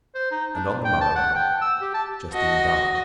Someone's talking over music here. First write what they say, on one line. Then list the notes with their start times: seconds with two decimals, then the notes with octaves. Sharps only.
And on the morrow Justine died.
0.15 C5
0.31 D#4
0.55 D4
0.85 G5
1.01 A5
1.16 F#5
1.35 G5
1.62 E6
1.82 G4
1.95 A5
2.32 F#4 D#5